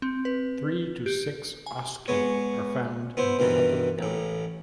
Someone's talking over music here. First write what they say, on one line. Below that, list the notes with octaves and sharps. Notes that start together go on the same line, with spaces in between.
Three to six oscula are found in the upper area.
C4
B4
G4
G#5
G#3 B3 C#5
B3 E4 C5
G2 B2 D#3 E3
A1 A2